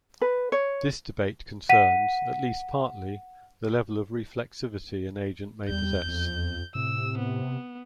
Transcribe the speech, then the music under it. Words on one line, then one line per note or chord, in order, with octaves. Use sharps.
This debate concerns, at least partly, the level of reflexivity an agent may possess.
B4
C#5
F#5 B6 D#7
E2 G3 G6
F2
A2 C3 E6
B3